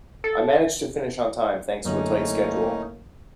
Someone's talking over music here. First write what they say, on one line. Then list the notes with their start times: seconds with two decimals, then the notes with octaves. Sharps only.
I managed to finish on time thanks to a tight schedule.
0.24 A4
1.85 F#2 A2 D3 A3 A#3 C#4 D#4